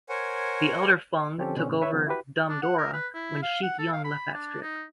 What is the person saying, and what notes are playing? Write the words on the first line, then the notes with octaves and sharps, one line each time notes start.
The elder Fung took over "Dumb Dora" when Chic Young left that strip.
A#4 C5 C#5 F#5 G#5
D3 F3 C4 C#4 G4 A4
B2 D3 C4 C#4
A2 C#3
E4 B4 C#5 E5
C#3 F3 B3
E4 F#4 G4 B4
D4
F#5
A#4
B4
E4
F5
F#5
A4
F5
B5
D4
D#4